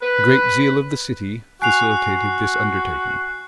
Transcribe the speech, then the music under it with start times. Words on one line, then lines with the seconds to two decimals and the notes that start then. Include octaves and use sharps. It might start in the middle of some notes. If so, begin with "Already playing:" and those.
The great zeal of the city facilitated this undertaking.
0.02 B4
1.62 F#4 G#5 F#6 C7 F7